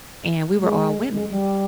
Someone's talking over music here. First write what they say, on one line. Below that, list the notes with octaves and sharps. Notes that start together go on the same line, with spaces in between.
and we were all women,
G#3
G#3
G3